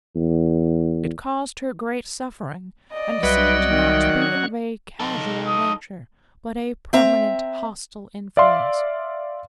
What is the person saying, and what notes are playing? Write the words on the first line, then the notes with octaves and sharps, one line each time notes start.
It caused her great suffering, and seemed not to be of a casual nature, but a permanent hostile influence.
E2
D5 D#5
C2 F#3 G3 B4 E5 F#5
D#3
C#4
D#4 A4
D#6
C4 E5 A#5
D5 E5 F5 C6